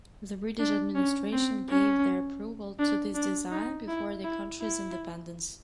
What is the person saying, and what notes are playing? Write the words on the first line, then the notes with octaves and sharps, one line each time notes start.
The British administration gave their approval to this design before the country's independence.
D4
C#4
C4
C#4
D4
D4
D#4
E4
E4
E4